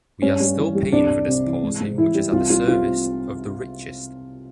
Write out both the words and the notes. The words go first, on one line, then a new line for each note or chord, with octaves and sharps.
We are still paying for this policy which is at the service of the richest.
G2 C#4
G2
E3
G3
C2 D4
C2
C3
E3
G#2
G#2
E3 E4
G3
C2 F4
G3 F4
C3 F4